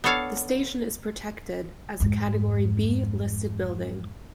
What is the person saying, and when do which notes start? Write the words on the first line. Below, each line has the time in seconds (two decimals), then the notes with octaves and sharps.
The station is protected as a category B listed building.
0.04 B3 D4 A4 C#5 F5
2.00 F2 G#2